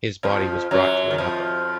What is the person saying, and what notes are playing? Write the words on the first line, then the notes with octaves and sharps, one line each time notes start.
His body was brought to Aleppo.
F2 F3
F#2 F#3
D#3
F2 F3